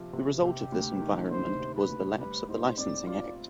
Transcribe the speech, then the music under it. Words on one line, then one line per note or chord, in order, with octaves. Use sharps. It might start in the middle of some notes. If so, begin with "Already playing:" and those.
The result of this environment was the lapse of the Licensing Act.
Already playing: C3 F3 F4
C3
C3 G4
D2
D#3
D2 C5
C3
B4
D2
G3 B4
G#2 C5
C4 D5
F4 D5